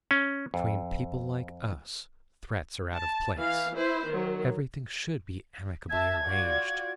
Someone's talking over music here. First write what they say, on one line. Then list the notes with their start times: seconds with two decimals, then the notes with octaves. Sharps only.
Between people like us threats are out of place, everything should be amicably arranged.
0.11 C#4
0.54 F2
2.93 A5
3.38 E3 F5
3.77 E4 B4 C5
4.08 D#3 F#3
5.90 E5 A5 G#6
6.24 F4 F#4 D5